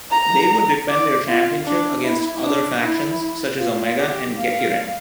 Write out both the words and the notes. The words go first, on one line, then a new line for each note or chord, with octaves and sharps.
They would defend their championship against other factions such as Omega and Gekirin.
A#5
D5
F4
D4
E4
D4
E4
F4
G4
F5